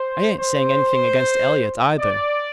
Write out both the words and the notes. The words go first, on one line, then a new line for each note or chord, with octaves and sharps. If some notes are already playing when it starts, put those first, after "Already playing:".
I ain't saying anything against Elliott, either.
Already playing: C5
C5
D5